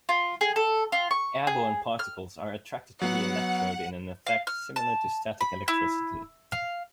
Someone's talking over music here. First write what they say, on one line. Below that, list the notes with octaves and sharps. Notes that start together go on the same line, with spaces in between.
Airborne particles are attracted to the electrode in an effect similar to static electricity.
F4
G#4
A4
F4
C#6
G#4
F6
F#3 B3 F#5
F5
F6
A5
B5
E4
F5